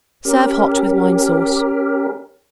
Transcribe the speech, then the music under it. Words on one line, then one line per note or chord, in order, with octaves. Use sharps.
Serve hot with wine sauce.
C#4 G4 A#4